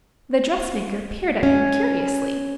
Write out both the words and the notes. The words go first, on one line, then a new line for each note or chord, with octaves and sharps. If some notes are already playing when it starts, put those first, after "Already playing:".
The dressmaker peered at him curiously.
C#4